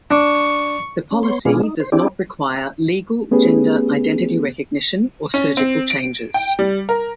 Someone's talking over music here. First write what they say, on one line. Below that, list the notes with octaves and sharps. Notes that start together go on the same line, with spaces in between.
The policy does not require legal gender identity recognition or surgical changes.
D4 C#6
C#4
B3 C#5 C6
B2 G#3 B3 D4 F4 G#4
D#4
C5
C4 D4 E4 G4 G#4 D5
A3 B3 C#4 G4 G#4 B4
C#4
C4
D7
G5
G3
A#4